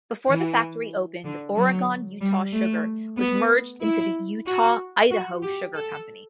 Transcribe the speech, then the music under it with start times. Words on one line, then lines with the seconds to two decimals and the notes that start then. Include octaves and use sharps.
Before the factory opened, Oregon-Utah Sugar was merged into the Utah-Idaho Sugar Company.
0.28 E3
1.25 D3
1.57 F#3
2.21 G3
2.53 A3
3.18 B3
3.82 E4
4.46 F#4
5.11 F#4
5.43 G4
5.75 A4